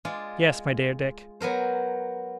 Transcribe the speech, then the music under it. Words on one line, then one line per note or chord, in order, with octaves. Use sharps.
"Yes, my dear Dick!"
G#3 F4 D5
F#3 B3 A#4 C5